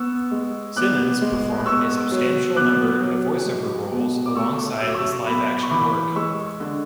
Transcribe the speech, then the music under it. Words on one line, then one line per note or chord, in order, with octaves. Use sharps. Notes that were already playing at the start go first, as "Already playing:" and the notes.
Simmons performed a substantial number of voice-over roles alongside his live action work.
Already playing: B3 C#6 E6
G#3
B3 D6 F#6
G#3
B3 C#6 E6
F#3
B3 D6 F#6
F#3
G#3
B2
D6
A3 C#6 E6
F#3 E6
D6
C#6 E6
B3 B5 D6
C#6
E3 B5 D6
G#3 C#6 E6
D3